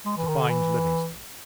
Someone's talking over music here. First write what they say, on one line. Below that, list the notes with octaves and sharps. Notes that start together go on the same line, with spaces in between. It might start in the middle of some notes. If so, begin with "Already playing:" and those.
"To find Livingstone."
G#3
E3
D#3
D3
E3